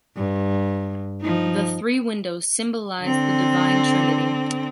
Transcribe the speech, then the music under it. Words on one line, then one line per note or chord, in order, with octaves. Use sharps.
The three windows symbolize the Divine Trinity.
G2
F3 D#4
D3 C4